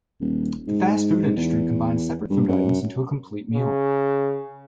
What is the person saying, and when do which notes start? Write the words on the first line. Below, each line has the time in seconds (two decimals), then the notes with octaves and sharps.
The fast food industry combines separate food items into a complete meal.
0.21 D#1
0.68 G#2
1.37 E2
2.30 G2
2.48 F#2
3.54 C#3